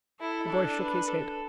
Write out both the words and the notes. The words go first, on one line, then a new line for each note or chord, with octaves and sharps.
The boy shook his head.
E4 A4
D4
B4
A4